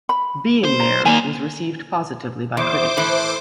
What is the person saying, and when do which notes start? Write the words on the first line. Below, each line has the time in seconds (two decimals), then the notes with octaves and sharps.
"Being There" was received positively by critics.
0.09 B5
0.65 C5
0.80 A#5
1.05 D#3 A#3 D5 G#5
2.57 E2 C5 D6
2.97 A2 E3